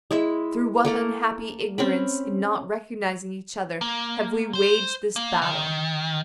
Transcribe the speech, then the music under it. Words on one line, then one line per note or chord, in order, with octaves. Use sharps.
Through what unhappy ignorance in not recognising each other have we waged this battle!
G#3 E4 E5
A3 A#3 A4
C4 C#4 B5
A#3
C5 C6
A#3
D#3